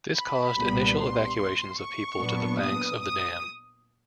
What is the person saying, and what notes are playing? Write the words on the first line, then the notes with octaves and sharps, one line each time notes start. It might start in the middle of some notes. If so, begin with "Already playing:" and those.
This caused initial evacuations of people to the banks of the dam.
B5
C2 A#2 G3 B3 D4
C6
C#6
A#2 F#3 B3 D4
D#6
D#6